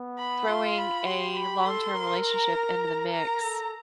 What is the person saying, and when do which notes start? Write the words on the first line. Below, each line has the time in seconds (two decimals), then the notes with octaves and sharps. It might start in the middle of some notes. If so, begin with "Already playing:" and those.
throwing a long-term relationship into the mix,
Already playing: B3
0.18 B5
0.48 F4 C6
0.78 B5
1.07 G4 C6
1.36 B5
1.65 A4 C6
1.94 A#4
2.24 A#5
3.13 A#4 A#5
3.43 A4